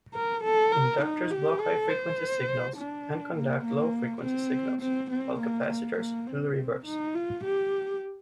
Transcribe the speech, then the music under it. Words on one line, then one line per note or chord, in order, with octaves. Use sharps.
Inductors block high-frequency signals and conduct low-frequency signals, while capacitors do the reverse.
A#4
A4
A#4
D#4
G4
A4
C5
D4
A#3
A#3
C4
C4
C4
A#3
A#3
A#3
C4
D#4
F4
G4